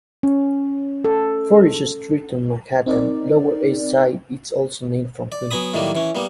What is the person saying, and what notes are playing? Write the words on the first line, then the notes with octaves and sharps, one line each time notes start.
Forsyth Street on Manhattan's Lower East Side is also named for him.
C#4
A4
C4 D#4 A#4 D5
D5
F#3 B3 G#5 B5 D#6
A2 D#3 F#3 G3 A#3
E3 C#4
G3 A#3 B3